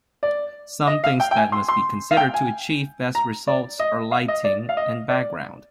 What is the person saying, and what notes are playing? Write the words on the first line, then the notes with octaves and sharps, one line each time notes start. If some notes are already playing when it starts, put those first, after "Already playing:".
Some things that must be considered to achieve best results are lighting and background.
D5
D#5
F5
G5
G5
G#5
C6
C6
F5
G5
G#5
A#5
D5
D#5
F5
D#5
D5
F5
D#5
D5